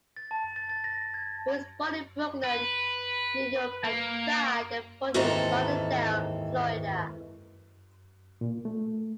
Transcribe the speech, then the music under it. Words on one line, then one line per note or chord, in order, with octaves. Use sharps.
He was born in Brooklyn, New York and died in Fort Lauderdale, Florida.
A6
A5
A6
A6
A#6
G#6
B4
A#3
D#2 G#2 E3 C4 A4 A#5
A#2
A3